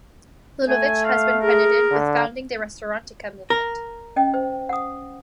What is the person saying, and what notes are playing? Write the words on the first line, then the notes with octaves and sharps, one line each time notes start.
Ludovic has been credited with founding the Restaurantica movement.
A3 G#5
F5
G#4 A#4
D3
A#4
C#4 D#5 G5
C5
F#5 D#6